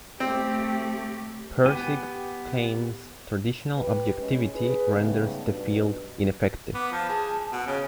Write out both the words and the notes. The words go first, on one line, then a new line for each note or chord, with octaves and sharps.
Pirsig claims traditional objectivity renders the field ineffective.
A3 C4 G4
B3 G4 B4 G#5
B1 G4 B4
G#3 C#4
G#4 B4
G#2 C#3 G3 A3 B3
G2 B2
B3 D6
F3 A5
G#4
B2 F#5
C#3 C#5